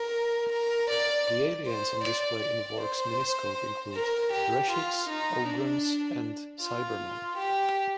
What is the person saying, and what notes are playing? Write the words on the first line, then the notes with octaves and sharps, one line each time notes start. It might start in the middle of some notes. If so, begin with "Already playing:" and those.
The aliens on display in Vorg's miniscope include: Drashigs, Ogrons and Cybermen.
Already playing: A#4
A#4
D5
C5
D5
D5
C5
A#4
G4
F4
D#4
D4
F4
G4